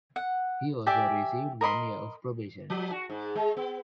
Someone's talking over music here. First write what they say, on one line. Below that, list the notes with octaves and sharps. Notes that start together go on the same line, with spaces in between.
He also received one year of probation.
F#5
G4 D5 E5 G#5
A#4 D#5 B5 C6
F3
F#4
G#2
G#3
B3